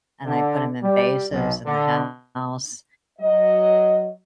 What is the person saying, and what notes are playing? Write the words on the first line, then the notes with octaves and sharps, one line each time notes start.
and I put 'em in vases in the house
D3
G3
B1
D3
F#3 D#5